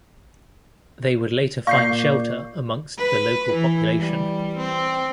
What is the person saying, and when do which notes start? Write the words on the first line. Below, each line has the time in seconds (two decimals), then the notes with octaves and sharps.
They would later find shelter amongst the local population.
1.67 A#2 D5 F5 C#6 G6 C7
2.97 B4
3.53 E3
3.98 G3
4.57 C4